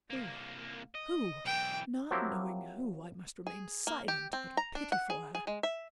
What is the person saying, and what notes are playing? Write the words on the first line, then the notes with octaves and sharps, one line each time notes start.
Who?--Who?--Not knowing who, I must remain silent, out of pity for her.
C2 A#3
D#5
B1 E3 G5
F3 F#3 A#3 C4 E4 G4
G#4
A#3
G4
C4
A#5
D4
F#5
G#4
G#4
G#3
E5